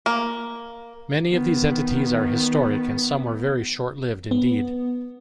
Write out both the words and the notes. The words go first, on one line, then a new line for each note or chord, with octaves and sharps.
Many of these entities are historic and some were very short-lived indeed.
A#3
D#3 B3
B3